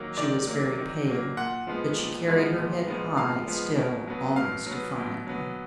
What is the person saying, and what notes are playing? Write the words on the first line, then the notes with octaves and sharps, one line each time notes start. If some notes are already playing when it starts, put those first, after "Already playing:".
She was very pale, but she carried her head high still--almost defiantly.
Already playing: D#3 F#3 A#3
D#3 D5
F#3 A#3
D#3
F#3 A#3
A#2 F#5
F3 G#3 B3
A#2
F3 G#3 B3
A#2
F3 G#3 B3
A#2 F5
F3 G#3 B3
B2
F#3 B3
B2 F5
F#3 B3
B2
F#3 B3